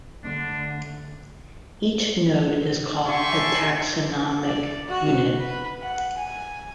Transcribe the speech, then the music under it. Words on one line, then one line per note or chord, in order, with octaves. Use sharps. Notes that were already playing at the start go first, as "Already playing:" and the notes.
Each node is called a taxonomic unit.
D3 A3 D4
G4 A4 E5 G#5 C6 C#6
D5
F#4
B4
F#5
G#5